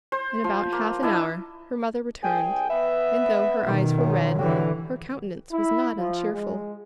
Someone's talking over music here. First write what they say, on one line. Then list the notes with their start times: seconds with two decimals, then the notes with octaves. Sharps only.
In about half an hour her mother returned, and though her eyes were red, her countenance was not uncheerful.
0.12 C5
0.44 F3
0.72 A#3
1.02 D4 E4 D#5 A5
2.22 C2 G#4 G5
2.70 B3 B4 E5
3.63 B2 D#3
3.97 F#2
4.39 D3 E3 C#4 F#4 G4
5.52 E4
5.97 F3
6.31 G#3